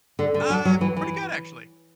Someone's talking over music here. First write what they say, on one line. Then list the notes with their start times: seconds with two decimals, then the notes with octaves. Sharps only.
Uh, pretty good, actually,
0.19 D3
0.34 D3
0.50 F#3
0.65 F#3
0.81 E3
0.96 E3